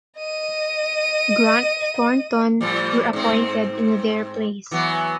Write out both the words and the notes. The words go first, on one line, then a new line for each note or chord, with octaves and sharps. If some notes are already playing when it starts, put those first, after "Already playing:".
Grant Thornton were appointed in their place.
D#5 D#7
A2 F3 G3
G#2 C4
E3 F#3 B3